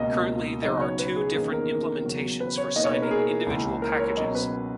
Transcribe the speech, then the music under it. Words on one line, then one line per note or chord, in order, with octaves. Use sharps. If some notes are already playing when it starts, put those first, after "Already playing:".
Currently there are two different implementations for signing individual packages.
Already playing: C#2 B2 A#3 D#5
C#3 F#3 B3 D#4 D#5
C#5
B4
G#4
E2 D#3 A#3 C#4 G#4
A#4
E2 C#3 F#3
B4
C#5
B2 A#3 D#4 D#5
C#5
B4
A#4
G#4
C#2 C#3 E3 A#3
A#4
C#5
B2 F#3 C#4 D#5
B4